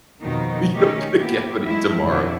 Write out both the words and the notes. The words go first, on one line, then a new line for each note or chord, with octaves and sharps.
you don't get a cavity tomorrow.
F2 B2 D#3 D#4
D#3 A3 C#4 D#4 G4 C#5
A#3 B3 E4 G4
F#3 G#3 A3 E4
F2 B2 D3 E4